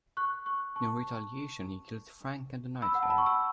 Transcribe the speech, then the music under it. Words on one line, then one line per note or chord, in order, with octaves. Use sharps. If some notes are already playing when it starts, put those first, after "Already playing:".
In retaliation, he kills Frank at a night club.
C#6 F#6
C#6 F#6
A5 C#6
B5 E6
F#5
A5
B5
C#6
B5 E6